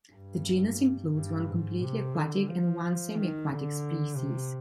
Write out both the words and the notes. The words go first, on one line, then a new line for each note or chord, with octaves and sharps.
The genus includes one completely aquatic and one semiaquatic species.
G2
G2
G#2
C3
D3
F3
D#3
D3
C3